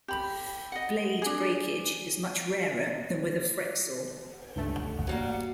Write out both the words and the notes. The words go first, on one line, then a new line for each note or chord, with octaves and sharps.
Blade breakage is much rarer than with a fretsaw.
G4 B5
D#5 F#5
D4 G#4
C#2 G2 A3
F#3 G3 A#3